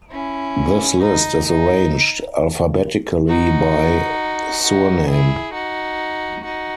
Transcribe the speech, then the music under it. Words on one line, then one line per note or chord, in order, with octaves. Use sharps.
This list is arranged alphabetically by surname.
C#4 E4
D#4
D#4
D#4 F#4
D#4 F#4
E4 G#4
D#4 F#4
D#4 F#4